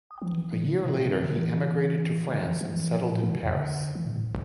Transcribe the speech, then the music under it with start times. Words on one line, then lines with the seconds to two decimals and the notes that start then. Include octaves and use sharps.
A year later, he emigrated to France and settled in Paris.
0.22 F3
0.33 E3
0.53 E3
0.64 D3
0.73 C3
0.84 B2
0.94 B2
1.05 B2
1.16 D3
1.21 E3
1.26 D3
1.36 E3
2.29 D3
2.39 E3
2.51 F3
2.61 F3
2.71 E3
2.92 F3
3.12 A2
3.23 E3
3.34 C3
3.43 F2
3.54 D3
3.95 E3
4.05 A2
4.16 A2